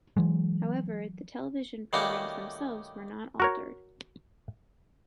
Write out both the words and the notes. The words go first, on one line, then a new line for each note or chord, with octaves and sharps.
However, the television programs themselves were not altered.
E3 F#3 G#3
D#3 G3 A3 A#3 C#4 F#4
F#4 A#4 C#5